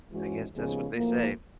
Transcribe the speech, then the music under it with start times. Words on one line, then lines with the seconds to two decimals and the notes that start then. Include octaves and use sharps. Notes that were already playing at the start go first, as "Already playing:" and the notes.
I guess that's what they say.
0.11 G#2 E3 G#3 C#4 F#4
0.53 D#2 C#3 F3 G#3 B3
0.95 A2 F3 A#3